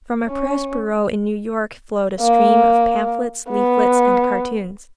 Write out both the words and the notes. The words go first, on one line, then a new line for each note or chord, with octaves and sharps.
From a press bureau in New York flowed a stream of pamphlets, leaflets, and cartoons.
C#4
A#3
B3